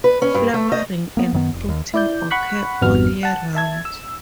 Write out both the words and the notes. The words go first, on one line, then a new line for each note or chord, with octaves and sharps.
Flowering and fruiting occur all year round.
B4
C#4
G2
A3
D#5
A#3 B3
F#2 D#3 B3
F1
D#2
E4 D5 G6
F#5 B5 C#6 F#6 B6
G#1 F2 B3 F#4 F6
F#5 A5
E5 A5 G#6
E6